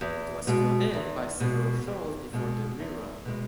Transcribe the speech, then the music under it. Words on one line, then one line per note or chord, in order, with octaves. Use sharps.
It was filled in by several shows before the rerun.
E2
B2 G#3
E2
B2 G#3
E2
B2 G#3
E2
B2 G#3